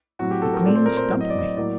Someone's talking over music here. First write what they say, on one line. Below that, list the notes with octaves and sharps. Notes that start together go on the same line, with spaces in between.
It clean stumped me.
A2 F#3 C4 F#4
G4
A4
A#4
A#2 A3 C4 D5
C5
A#4
C5
A2 F#3 C4
D#5
D5
D#5
A2 F#3 A#3 D5